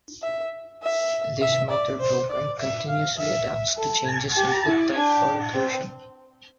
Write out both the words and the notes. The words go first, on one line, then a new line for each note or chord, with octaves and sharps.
This motor program continuously adapts to changes in food type or occlusion.
E5
E5
E5
D5
C5
D5
E5
F5
E5
A4
G4
E4
D4
C4